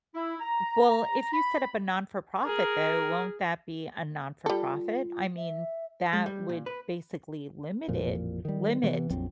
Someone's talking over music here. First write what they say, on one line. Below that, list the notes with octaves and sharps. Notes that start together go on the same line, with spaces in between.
W well, if you set up a non-for-profit, though, won't that be a non-for-profit? I mean, that would basically limit it limit
E4
A#5
B5
G#4 A#4
G3 F4 A4
E5
G#3
G3
A#2
B4
A1 F2 A#2 F3
D#3 G3
C3 E3 B3
A#1 F2 F#3 C4